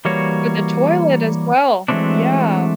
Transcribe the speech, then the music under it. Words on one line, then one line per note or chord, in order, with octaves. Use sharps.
With the toilet as well. Yeah.
E3 G3 A#3 F#4 C#5
E3 F#3 G#3 A3 C4 D4